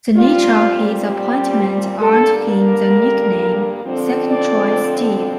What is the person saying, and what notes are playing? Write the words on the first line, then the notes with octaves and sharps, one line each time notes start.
The nature of his appointment earned him the nickname "Second Choice Steve".
A#2 G3 C4 F4
G4
G2 D3 G3 A#3 A4
A#4
F2 D3 F3 C4
D5